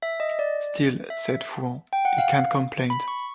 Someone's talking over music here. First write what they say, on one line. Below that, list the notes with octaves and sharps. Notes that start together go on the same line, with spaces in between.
Still, said Fouan, he can’t complaint.
E5
D#5
D5
E5
G5
F#5
F5
B5
C#6